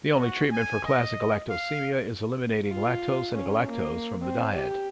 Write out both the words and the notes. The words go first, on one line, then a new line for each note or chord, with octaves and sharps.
The only treatment for classic galactosemia is eliminating lactose and galactose from the diet.
F#4
G#5
D#5
F5
F4
C#4
A#3
C4
G4